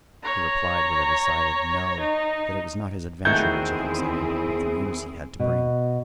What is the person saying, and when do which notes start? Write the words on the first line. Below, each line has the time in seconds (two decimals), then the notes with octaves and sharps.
He replied with a decided no; that it was not his adventure which had upset him, but the news he had to bring.
0.23 C#5 A#5
2.00 D#4
3.25 E2 D#3 A3 C4 E4 F#4 G#4 G6
5.39 B2